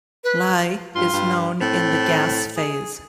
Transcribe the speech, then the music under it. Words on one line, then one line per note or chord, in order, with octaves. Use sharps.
Li is known in the gas phase.
B4
G2 F4
G2
A2 C4
G#4